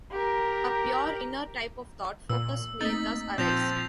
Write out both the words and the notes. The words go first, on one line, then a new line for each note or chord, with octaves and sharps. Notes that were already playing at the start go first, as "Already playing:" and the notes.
A pure, inner type of thought focus may thus arise.
G4 A#4
A#2 E6
A3 A#3 C4 D#4 A6 B6
A#2 F3 C4 G6 A#6 F7